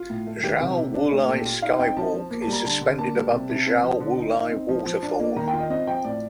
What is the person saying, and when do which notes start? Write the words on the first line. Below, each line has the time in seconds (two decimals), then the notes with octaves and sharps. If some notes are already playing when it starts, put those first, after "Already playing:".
Xiao Wulai Skywalk is suspended above the Xiao Wulai Waterfall.
Already playing: F4
0.10 A2
0.26 A3
0.43 D#3 G4
0.61 C3
0.78 C3
0.94 D4
1.11 A3
1.28 A#2 A4
1.40 G4
1.45 F4
1.62 D#4 F5
1.79 C4 G5
1.97 F3 A5
2.13 F3
2.30 A#3
2.42 A5
2.47 G3
2.53 A#5
2.65 D3 A5
2.81 D3
2.98 A#3 A5
3.15 G3
3.32 C3
3.50 C3
3.67 C4
3.84 F3
4.00 D3
4.17 D#4
4.35 D#4
4.52 C4
4.69 F3
4.86 F3
5.02 D4 A5
5.19 A#3
5.36 D#3 A#5
5.48 G5
5.53 F4
5.59 D#5
5.70 C4 D#5
5.87 F3 G5
6.04 A2 D5